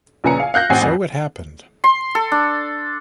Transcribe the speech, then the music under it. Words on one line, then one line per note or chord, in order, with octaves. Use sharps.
So it happened.
A#1 C#3 B4 G#5 A#5 C#7
F5 G#5
F5 F#6 G6 A#6
A1 C4 F#5 G#5 C7
F2
C6
A4
D4